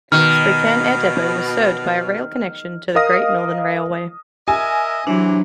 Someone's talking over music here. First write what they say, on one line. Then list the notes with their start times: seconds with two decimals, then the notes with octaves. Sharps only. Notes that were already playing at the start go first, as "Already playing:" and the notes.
Spokane Air Depot was served by a rail connection to the Great Northern Railway.
0.12 B2 D#3 F6
2.95 A#4 D#5 F5 D#6 F6 A#6
4.48 A#4 D#5 E5 G#5
5.07 C3 E3 F#3 D4